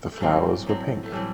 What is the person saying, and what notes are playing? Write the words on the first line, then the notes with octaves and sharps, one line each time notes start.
The flowers were pink.
A3
B1 A2 E3 F#3 G3 C4
B1 A2 F#3 C4
A3
A2 E3 F#3 G3 C4